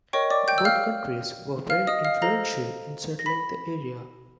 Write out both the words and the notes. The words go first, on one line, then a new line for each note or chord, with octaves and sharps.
Both countries were very influential in settling the area.
A#4 C#5 D#5 G5 C#6
D5 D6
G5 G6
E6
F5 F6
F5 F6
D#5 D#6
F5 F6
A4 C5 F5 A#5 A#6
A#6
B5 B6